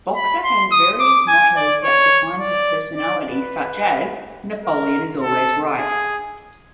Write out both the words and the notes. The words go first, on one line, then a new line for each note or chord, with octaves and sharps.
Boxer has various mottoes that define his personality, such as: Napoleon is always right.
B5
C6
D#6
D6
G#5
D5
C#5
D5
D5
B4
A#4
A4
G#4